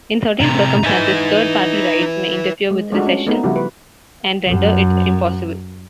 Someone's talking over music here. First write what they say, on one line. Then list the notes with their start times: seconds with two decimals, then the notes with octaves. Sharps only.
In certain circumstances, third party rights may interfere with rescission and render it impossible.
0.41 A2 C3 A#5
0.83 D#4 B4 E5 G#5
2.71 G#3
2.92 G#3 A3 D4 F4 F#4
3.07 C#4
3.27 A3 B3 D#4
3.44 C#3 F3 G3 E4 F#4 G4
3.56 B4
4.47 F#2